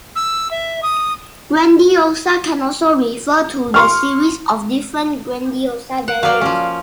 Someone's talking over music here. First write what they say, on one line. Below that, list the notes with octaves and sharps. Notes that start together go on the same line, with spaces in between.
Grandiosa can also refer to the series of different Grandiosa variants.
E6
E5
D#6
C6 C#6 F6
F#5
F#3 A#3 D5 F5
F3 C#4